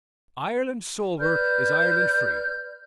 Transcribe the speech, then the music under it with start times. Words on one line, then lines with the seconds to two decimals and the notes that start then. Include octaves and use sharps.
Ireland sober is Ireland free.
1.20 B4 D5 F6 G6